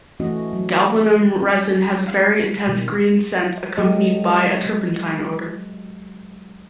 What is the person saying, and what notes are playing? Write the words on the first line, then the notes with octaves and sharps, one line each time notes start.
Galbanum resin has a very intense green scent accompanied by a turpentine odor.
E3 A3 C#4 F#4 D#5
F#3
C#4
B2 D#3
F#3 G#3 C#4 G4 A4 D#5